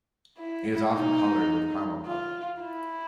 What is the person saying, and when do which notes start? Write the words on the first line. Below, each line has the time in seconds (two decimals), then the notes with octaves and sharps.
It is often colored with caramel color.
0.38 E4
0.94 D#4
2.06 F4
2.62 E4